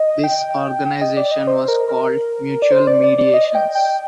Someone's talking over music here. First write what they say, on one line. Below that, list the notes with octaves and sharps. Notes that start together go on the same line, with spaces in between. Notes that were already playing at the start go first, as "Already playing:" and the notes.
This organisation was called Mutual Mediations.
Already playing: D#5
G5
G5
D#5
D5
D#5
C5
A#4
A#4
D5
C5
D5
D5
D5
D#5
G5
G5